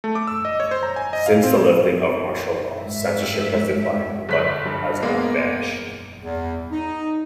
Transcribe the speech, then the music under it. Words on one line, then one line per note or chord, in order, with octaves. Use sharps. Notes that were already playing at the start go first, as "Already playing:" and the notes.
Since the lifting of martial law, censorship has declined but has not vanished.
A3
D6
E6
D#5
C#5
C5
A#5
G#5
D#5
F5
C4
G#2 G#3 E5
G1 B6 F#7
G2
G#3 A#3 B3
E2
D#4